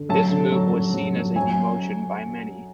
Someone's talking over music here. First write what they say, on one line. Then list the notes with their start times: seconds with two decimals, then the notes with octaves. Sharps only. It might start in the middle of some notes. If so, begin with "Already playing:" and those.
This move was seen as a demotion by many.
Already playing: D3
0.09 F#3 A5
0.31 D3
0.52 F#3
0.73 F#3
0.94 F#3
1.16 F#3
1.36 F#3 G#5